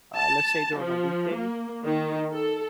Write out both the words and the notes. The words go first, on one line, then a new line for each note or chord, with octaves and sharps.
uh, let's say during a weekday,
A5
F3
A#3
D#3
A4